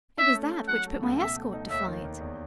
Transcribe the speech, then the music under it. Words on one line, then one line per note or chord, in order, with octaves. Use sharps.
"It was that which put my escort to flight."
C#4 E5
A3
A3
F#3 F#5
A3
C#2
B2 E5
A3
D#4
D#2 E5
D#3
D#2
E2